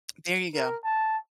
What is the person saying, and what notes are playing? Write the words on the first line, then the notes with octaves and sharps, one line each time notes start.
There you go.
A#4
A5